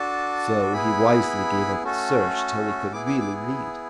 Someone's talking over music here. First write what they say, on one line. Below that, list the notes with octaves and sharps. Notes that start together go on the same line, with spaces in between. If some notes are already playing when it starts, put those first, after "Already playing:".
So he wisely gave up the search till he could really read.
Already playing: D4 F#4 A4 A5
B3 E4 G#4 B5
A3 C#4 F#4 A4
B3 E4 G#4 D6
D6
E6
D6